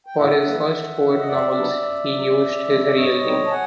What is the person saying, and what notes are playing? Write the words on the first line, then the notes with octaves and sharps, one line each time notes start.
For his first four novels, he used his real name.
G5
A2 E5 F#5
E3 G3 A#3
E2
C3 D#3
D#5
F2 D5 E5
C#3 F#3 B3 D4
F#2
C#3 F#3
F2
C3 F3 G#3
D5
G2 C#5 D#5
D3 G3 C4 D#4
A5
F#5 G#5